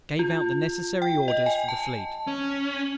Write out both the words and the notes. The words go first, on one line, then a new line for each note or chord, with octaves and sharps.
Gave out the necessary orders for the Fleet.
F4
G5
D#5
G#5
A5
C#4